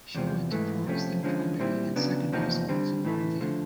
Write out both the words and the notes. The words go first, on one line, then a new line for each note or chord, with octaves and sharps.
She went to Protestant primary and secondary schools in Rotterdam.
E2 C3 F3
G#2 E3 A3
F2 C3 F3 A3 C#4
D3 F3 G#3 C#4
A#2 G3 C4 E4
C#3 F#3 B3 D4
E2 C3 F3 A#3 D#4
D3 G3 C4
A2 E3 A3
D3 F3 A3